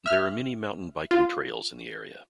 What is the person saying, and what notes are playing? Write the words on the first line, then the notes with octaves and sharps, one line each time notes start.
There are many mountain biking trails in the area.
E5 F6
F4